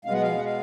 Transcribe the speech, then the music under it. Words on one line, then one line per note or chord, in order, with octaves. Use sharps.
I mean,
B2 G#3 B3 F5
F#5
F5
F#5
F5